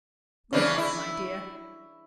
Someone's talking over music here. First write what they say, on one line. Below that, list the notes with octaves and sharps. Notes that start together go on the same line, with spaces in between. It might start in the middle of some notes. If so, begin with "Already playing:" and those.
Good-by, my dear.
C#3 E3 D4
E4